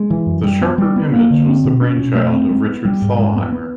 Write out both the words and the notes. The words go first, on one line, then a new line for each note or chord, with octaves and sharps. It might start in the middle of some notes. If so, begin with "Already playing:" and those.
The Sharper Image was the brainchild of Richard Thalheimer.
Already playing: G#3
E3
F#2
G3
B3
G3
B3
A#3
D3
C4
B2
C#4
B2
A3
C4
G#3
B3
G3
G#2
G#3
B3
B3